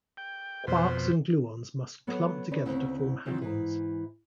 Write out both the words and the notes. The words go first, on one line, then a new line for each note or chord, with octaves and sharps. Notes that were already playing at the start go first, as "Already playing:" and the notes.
Quarks and gluons must clump together to form hadrons.
G5
F2 B2 C5
F#3 B3 A4 C#5
D#3 C#4 B4 C#5 D5
D2 C#3 B3 C4 E4
C3 D#3 E3 F#3 C4 F4
G#2 E3